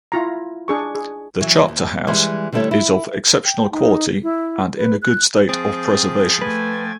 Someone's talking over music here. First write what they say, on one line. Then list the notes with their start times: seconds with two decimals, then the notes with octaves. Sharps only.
The chapter house is of exceptional quality and in a good state of preservation.
0.12 E4 F4 A#5
0.68 D4 G#4 C#6
0.95 G#4
1.41 E3 F#3
1.68 D#2
2.07 E3 G3 G#3
2.52 D3 G3 A3 E4 A4 C#5
2.71 E4
3.44 G5
3.72 D#4
4.23 E4
4.77 B4
5.02 F#6
5.49 F3 C4 G#4 G5 A6
6.42 A3 B4 G#5